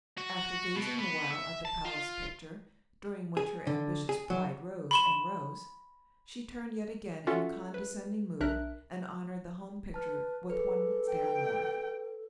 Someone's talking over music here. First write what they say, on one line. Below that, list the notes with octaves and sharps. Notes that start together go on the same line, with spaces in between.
After gazing a while at the palace picture, during which her ambitious pride rose and rose, she turned yet again in condescending mood, and honored the home picture with one stare more.
F#4
B2
B3
E5
A5
F4
G#4
D3
G#4
F#3
B5 C6 E7
C#4 F4 F#4 A4 E5 F#5
B4
B1 D4 A#4 E5 F#6
B4 A5 F6
G#4 A4 B4
G5